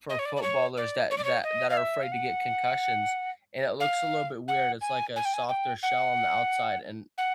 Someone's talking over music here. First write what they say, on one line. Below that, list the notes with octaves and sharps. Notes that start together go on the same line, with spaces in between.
for footballers that that that are afraid to get concussions, and it looks a little bit weird, it's like a softer shell on the outside, and
D#5
C#5
D5
D5
C#5
D5
C#5
D5
C#5
D#5
F5
E5
F5
F#5
F5
F#5
G#5
G#5
G5
G#5
G5
F#5
F#5